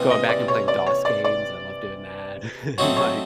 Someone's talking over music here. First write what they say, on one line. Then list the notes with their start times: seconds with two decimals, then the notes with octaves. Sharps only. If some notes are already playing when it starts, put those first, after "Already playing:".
going back and playing DOS games, I love doing that, and, like,
Already playing: C3 E3 G3 A#3 D#4
0.10 D#5
0.29 D5
0.48 C#5
0.68 D5
0.86 C#5
1.05 D5
1.24 D5
2.78 F#3 A3 C4 D#4 F#4 C#5
2.96 C#5